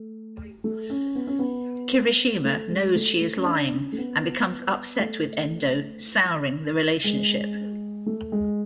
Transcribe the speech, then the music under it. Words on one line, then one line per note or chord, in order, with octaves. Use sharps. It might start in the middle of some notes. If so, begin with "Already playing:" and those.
Kirishima knows she is lying and becomes upset with Endo souring the relationship.
Already playing: A3
A3
C#4
B3
C#4
B3
A3
G#3
A3
A3
C#4
D4
C#4
A3
B3
A3
G#3
A3
G#3